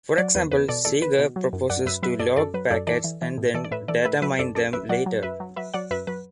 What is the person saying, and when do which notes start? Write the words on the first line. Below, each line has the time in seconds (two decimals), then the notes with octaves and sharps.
For example, Sager proposes to log packets and then data mine them later.
0.18 F#3 D5 F#5
0.35 E2 B4
0.52 E2 B4
0.68 B2 A4 D5
0.85 E2 A4 D5
1.02 E2 B4
1.18 B2
1.36 F#3
1.53 F#2
1.70 F#2 D5 F#5
1.86 F#2 B4 E5
2.03 F#3 B4 E5
2.20 F#2 A4 D5
2.36 F#2 A4 D5
2.54 F#3 B4
2.70 F#2 A4 D5
2.87 E3 A4 D5
3.04 E3
3.22 E3
3.38 A2
3.54 E3 A4 D5
3.64 D5
3.71 A2 B4 E5
3.88 E3 A4 D5
4.05 A2 B4 E5
4.22 F#3 B4 E5
4.39 F#2 A4 D5
4.55 F#2 A4 D5
4.73 F#2 B4 E5
4.89 F#3 D5 F#5
5.06 F#3
5.23 F#2 B4 E5
5.40 F#3
5.56 F#3 B4 E5
5.74 F#3 D5 F#5
5.91 F#2 B4 E5
6.07 F#3 B4